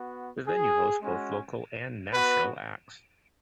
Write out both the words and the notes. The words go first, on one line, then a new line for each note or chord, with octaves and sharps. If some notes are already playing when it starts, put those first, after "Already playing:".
The venue hosts both local and national acts.
Already playing: B3 F#4
G#4
G#3 C#4 F#4
B3 F#4 B4